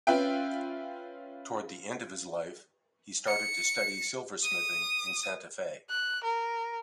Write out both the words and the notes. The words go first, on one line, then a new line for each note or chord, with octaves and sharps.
Toward the end of his life he started to study silversmithing in Santa Fe.
C#4 F4 B4 E5 G5
C#7
D#6
F#6
A#4